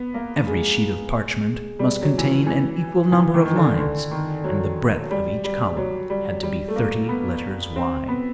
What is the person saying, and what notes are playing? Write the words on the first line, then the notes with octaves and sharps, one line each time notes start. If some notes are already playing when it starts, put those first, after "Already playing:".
Every sheet of parchment must contain an equal number of lines, and the breadth of each column had to be thirty letters wide.
Already playing: B3
A#3
G#3
G3
F#3
E3
F3
E3
E3
D#3
D#3
D3
D3
D#3
F#3
G3
G3
F#3
G3
G3
A3
A#3
B3
C4
B3